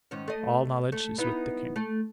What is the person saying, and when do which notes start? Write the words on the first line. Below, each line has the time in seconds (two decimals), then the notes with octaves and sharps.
"All knowledge is with the King."
0.11 G#2 D#3 C#4
0.28 A3 D#5
0.92 A3
1.18 B3 D#4 E4
1.76 A3